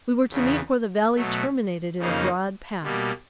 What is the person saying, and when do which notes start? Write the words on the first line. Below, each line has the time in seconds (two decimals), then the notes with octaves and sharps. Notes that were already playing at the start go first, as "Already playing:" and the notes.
We were to meet where the valley terminated in a broad pass.
0.30 E2 C#3 E3
1.15 B2 F#3 A3
1.98 F2 C#3 F3 A#3 D#4
2.82 B2 G3 A#3